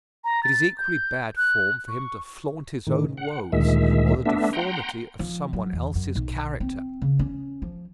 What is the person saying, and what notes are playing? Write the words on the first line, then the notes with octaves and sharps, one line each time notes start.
It is equally bad form for him to flaunt his own woes, or the deformity of some one else's character.
A#5
A6
G6
F#6
C#6
A2 D#3
F#5
D2 A#2 D#3 G#3 E5
A3 B3 D4 E5
F#5 G5 A#5 C6
F3
F#3
E2
F#2
B1
C4
C#3
C#4
F3